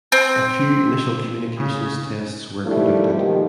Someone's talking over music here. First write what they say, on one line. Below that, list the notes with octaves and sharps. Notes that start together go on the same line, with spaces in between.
A few initial communications tests were conducted.
C4
C#3
D#3 F3 G3 A3 E4
G#2 B2 D#3 F3 A#3 G4